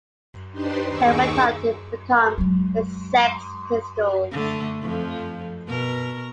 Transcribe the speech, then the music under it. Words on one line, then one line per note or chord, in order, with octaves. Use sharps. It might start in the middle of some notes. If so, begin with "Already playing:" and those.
They went on to become "The Sex Pistols".
D4 D#4 G4 B4 C5 C6
D#2 D#4 G#4 C#6 D6 E6
F#3 G#3
D3 A3
F2 F3
B2 A#4